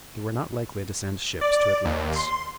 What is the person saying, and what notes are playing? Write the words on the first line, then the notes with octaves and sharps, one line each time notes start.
They were not likely to send ships to Atlantis.
D5
D#2
C6